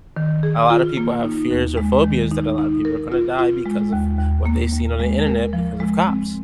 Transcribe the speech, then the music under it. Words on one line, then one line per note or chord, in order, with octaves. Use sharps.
a lotta people have fears or phobias that a lotta people are gonna die because of what they've seen on the internet because of cops.
D#3
G#4
F4
A#3
D#4
D#2
G#3
D#3
D#4
D#4
A#4
F4
F4
G#3
D#2
D#2
A#3
D#2
G#3
A#4
F3
G#3
C4